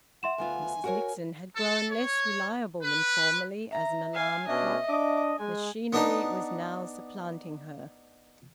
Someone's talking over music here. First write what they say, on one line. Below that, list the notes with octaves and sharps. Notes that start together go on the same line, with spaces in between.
Mrs Nixon had grown less reliable than formerly as an alarm clock; machinery was now supplanting her.
E5 F#5 C6 E7
D2 B3 F4 G#5
F#4 A#4 C#5
A4
C#5
B4
E5 A#5
F5 G#5
B2 C#4 D4 D#5 E5
D4 D#5 D6
G#3 G#5
B3 D4 D#4